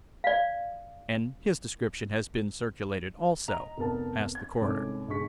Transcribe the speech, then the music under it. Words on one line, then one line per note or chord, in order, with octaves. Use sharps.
"And his description has been circulated also?" asked the coroner.
D5 F5
D#5 A#5 F7
F1 B3 A#4 A5
G#6
C2 G#2 C#4 A4 D6
B1 G#2 C#3 G#4 C#6 B6